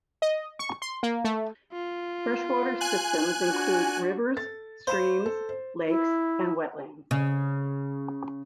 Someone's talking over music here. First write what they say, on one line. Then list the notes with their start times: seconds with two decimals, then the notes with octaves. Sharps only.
Freshwater systems include rivers, streams, lakes, and wetlands.
0.22 D#5
0.59 C#6
0.82 C6
1.03 A#3
1.24 A3
1.73 F4
2.81 G#5 F#6
3.48 D4 F#4
4.36 A4 A6
4.87 C5 F5 B5 E7
5.26 A4
5.49 C5
5.88 E4
7.11 C#3